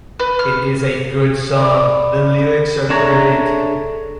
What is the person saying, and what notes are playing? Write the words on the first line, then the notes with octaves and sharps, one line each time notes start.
It's a good song, the lyrics are great.
B4
F6
D5 B5
D4 G#4 A4 C#5 E5 A#5